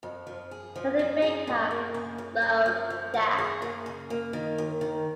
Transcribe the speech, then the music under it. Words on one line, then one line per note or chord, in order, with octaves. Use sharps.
Sending big hugs, love dad.
F2
F3
G#4
F3
C#4
G#4
A#2
A#3
C#3
C#3
C#4
F3
F3
D#2
G#4
A#3
C#3
A#3
D#3
D#2
D#3